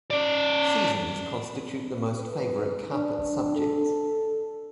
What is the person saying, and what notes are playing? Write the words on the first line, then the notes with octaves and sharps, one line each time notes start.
Seasons constitute the most favorite carpet subjects.
C#4 D5
B4
D4
A4